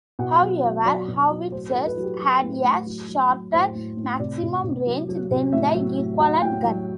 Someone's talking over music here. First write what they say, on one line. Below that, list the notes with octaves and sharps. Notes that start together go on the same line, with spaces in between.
However, howitzers had a shorter maximum range than the equivalent gun.
B2 F#5
F#3
F#3
F#3 D5
B2
F#3
A2 C5
A4
F#3
B4
F#3 F#4
G4
F#3
A2
A2
F#3
F#3
F#3
A2 C5
A2
A2
C3 D5
C3
C3
F#3
F#3
C3
A2 E5
F#3
A2
F#3 F#5
A2 G5
F#3